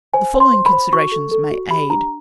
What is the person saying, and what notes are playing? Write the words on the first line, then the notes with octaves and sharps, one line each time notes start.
The following considerations may aid.
C5 G#5
C5
C6
C5
B5
C5
F#4 C#6
A4
A4
F#4
G4 B5
D4 A#5